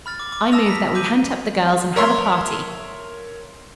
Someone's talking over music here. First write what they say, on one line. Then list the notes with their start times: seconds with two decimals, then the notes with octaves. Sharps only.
I move that we hunt up the girls and have a party.
0.06 B5 F6 A6
0.20 D6
0.32 D6
0.52 A5 D#6 E6 A#6 F7
0.66 A#5 B5 B6
0.94 B5 D6 G6 D#7
1.96 A#4 C#5 E5 C6